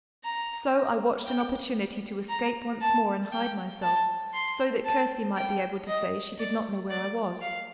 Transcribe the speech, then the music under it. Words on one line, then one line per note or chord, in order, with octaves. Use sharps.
So I watched an opportunity to escape once more and hide myself, so that Kirsty might be able to say she did not know where I was.
A#5
G5
A#5
A5
G5
A5
C6
A5
G5
D#5
D5
D5
F5